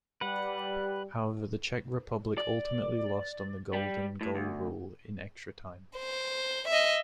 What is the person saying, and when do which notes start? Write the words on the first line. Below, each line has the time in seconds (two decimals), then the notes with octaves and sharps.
However, the Czech Republic ultimately lost on the golden goal rule in extra time.
0.21 G3 B4 F#5
2.38 D5
3.73 G3
4.21 A2
4.35 D2
5.96 C5
6.68 D#5 E5